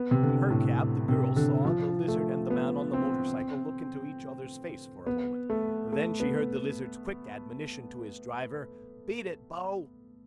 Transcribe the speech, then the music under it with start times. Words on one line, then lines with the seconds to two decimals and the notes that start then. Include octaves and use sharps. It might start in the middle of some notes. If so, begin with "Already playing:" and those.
From her cab the girl saw the Lizard and the man on the motorcycle look into each other's face for a moment, then she heard the Lizard's quick admonition to his driver, "Beat it, bo!"
Already playing: B3
0.11 C3
0.23 D3
0.50 A2
1.08 C3
1.36 D3
1.65 F3
2.08 A3
2.50 B3
2.93 C4
5.06 B3
5.50 A3
5.93 A3
6.20 B3